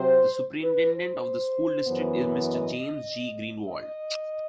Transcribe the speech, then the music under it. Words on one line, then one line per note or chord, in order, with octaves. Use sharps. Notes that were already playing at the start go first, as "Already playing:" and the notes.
The superintendent of the school district is Mr. James J. Greenwald.
Already playing: C3 F#3 C4 C5
B4
C5
F#2 E3 B3
D#5
D#5